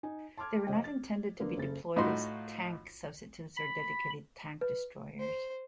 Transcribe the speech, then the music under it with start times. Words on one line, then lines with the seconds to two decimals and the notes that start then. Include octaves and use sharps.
They were not intended to be deployed as tank substitutes or dedicated tank destroyers.
0.03 D#4 G#5
0.37 A5 C6 D6 F6 G#6
0.67 F1 D#5 G5
0.84 A6
1.39 D3 A#3 B3
1.58 F#1 C#3 A4 A6
1.96 A2 D#4 F4 F#4 C6
3.57 B5
4.61 B4
5.19 C5